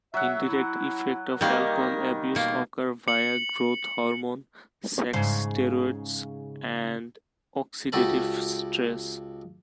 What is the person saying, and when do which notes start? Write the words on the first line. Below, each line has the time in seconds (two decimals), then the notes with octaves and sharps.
Indirect effects of alcohol abuse occur via growth hormone, sex steroids, and oxidative stress.
0.14 F#3 E5 F#5
0.48 E4
1.41 D#3 G3 A#3 D#4 A#4
2.35 B2 A#3
3.08 C#7 F#7
5.13 G#2 C#3 C5
7.92 C#2 F#4 G4 A4 B4 B5